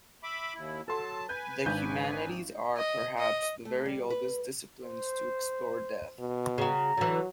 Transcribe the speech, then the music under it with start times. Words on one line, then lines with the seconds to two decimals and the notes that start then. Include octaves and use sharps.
The humanities are, perhaps, the very oldest disciplines to explore death.
0.23 E5 B5 D6
0.55 D#2 E4
0.88 F#3 A4 A5 C6
1.29 B4 G#5 G6
1.66 G#1 D4 G6
2.77 D#5
3.19 D#5
3.65 A3
3.86 G3
4.10 B4
4.84 C5
6.19 B2
6.58 C#3 F#4 A#5
6.97 D3 E3 F#3